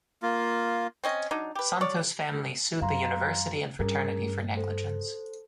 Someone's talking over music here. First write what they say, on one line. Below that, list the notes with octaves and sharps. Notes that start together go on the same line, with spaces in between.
Santos' family sued the university and fraternity for negligence.
A#3 F4
C4 C#4 D#5
F#3 D4 D#4
G4 B4
C#5 D5
F#2 F5 A#5 C6
G2 C#4 G#4 A#4
A4 C5